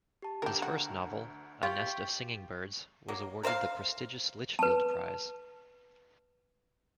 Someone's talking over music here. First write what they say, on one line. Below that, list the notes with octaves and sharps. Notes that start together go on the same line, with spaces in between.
His first novel "A Nest of Singing Birds" was awarded the prestigious Litchfield Prize.
G4 A5
D2 G4 A#4 A#5
F#4
F4 G4 C#6
F#3 A#3
A#4 C5 E5 F5
B4 A5